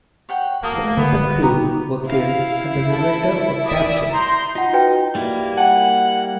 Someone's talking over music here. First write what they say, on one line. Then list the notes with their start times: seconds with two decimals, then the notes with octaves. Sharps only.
Seven of the crew were killed, and the remainder were captured.
0.29 C#5 F#5 G5
0.63 A#3 F#4 A4 D#6
0.97 D3 G3 B3
1.42 D#4 G4 A#5 C#6
2.08 E4 F5
2.90 A4
3.65 D5 E5 D#6
4.11 A#5 C6 G6
4.55 D#4 F4 F#5
4.73 F#4 B4 G5
5.15 G3 A#3 E4
5.57 F#5 G5 A5